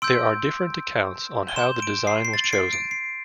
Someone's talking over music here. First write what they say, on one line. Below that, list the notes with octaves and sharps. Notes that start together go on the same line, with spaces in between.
There are different accounts on how the design was chosen.
C6 E6 G6 D7
G7
C6 G6 E7
D7
C7
C7
A6
D7
C7
D7
C7